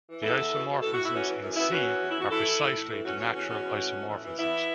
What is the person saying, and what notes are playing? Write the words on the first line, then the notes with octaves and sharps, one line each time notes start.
The isomorphisms in "C" are precisely the natural isomorphisms.
E3
E2 E4 A4
E2
B2
B2
A2 A4
A2 F#4
E4
E3 C#4 F#4
E3
F#2
F#2 B3 E4
E3 C#4 F#4
E3
E2
E2 E4
F#4
E3 E4 A4
E3
A2
A2
E3 A3
E3 C#4 F#4
E2 C#4 F#4
E2 C#4 F#4
B2 C#4 F#4
B2
A2
A2
E3
E3
E3 B3 E4